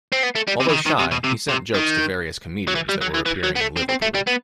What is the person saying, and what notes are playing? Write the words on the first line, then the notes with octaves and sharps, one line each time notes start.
Although shy, he sent jokes to various comedians that were appearing in Liverpool.
C4
B3
A3
G3
C3
E3
D#3
D#3
C3
B2
C3
C3
D#3
F#3
E3
G3
F#3
E3
E3
F#3
B3
A3
C4
C4
A3
G3
B3